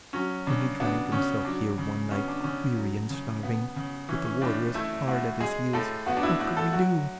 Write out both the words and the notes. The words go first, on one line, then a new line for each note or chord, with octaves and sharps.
When he dragged himself here one night, weary and starving, with the warders hard at his heels, what could we do?
F#3 C#4
C#3 D4
B3 D4
C#3 C#4
F#3 D4
C#3
B3 C#4
D4
D4
C#3 C#4
F#3
C#3
B3
C#3
E3 C#4
C#4
A2 D4
A3 E4
A2 F#4
G#3 G#4
A2 A4
B3 F#4
D4
E4
A2 F#4
A4
F#3 F#4